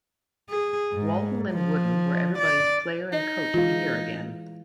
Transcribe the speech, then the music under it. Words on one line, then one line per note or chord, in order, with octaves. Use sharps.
Walton and Wooden were everybody's Player and Coach of the Year again.
G#4
G#2
F3
D5
D#4 D#5
E3 G#3 F4 F5